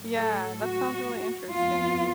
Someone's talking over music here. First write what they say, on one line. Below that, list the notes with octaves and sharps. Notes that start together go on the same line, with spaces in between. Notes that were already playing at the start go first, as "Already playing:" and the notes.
Yeah, that sounds really interesting.
Already playing: A2 F#3 A3
A4
F#4
F2 F3 B3 F4